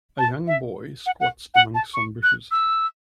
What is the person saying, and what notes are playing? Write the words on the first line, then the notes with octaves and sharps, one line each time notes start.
A young boy squats among some bushes.
A5
E5
F#5
F#5
F#5
A5
C#6
F#6
E6